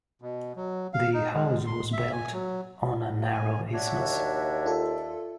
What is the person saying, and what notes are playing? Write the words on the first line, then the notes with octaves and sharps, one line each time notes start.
The house was built on a narrow isthmus.
B2
F#3
F5
D#4
G#3
C6
E5
G#5
F#3
G#5
D4 F#4 C#5 D5 E5
D#2
F4 A4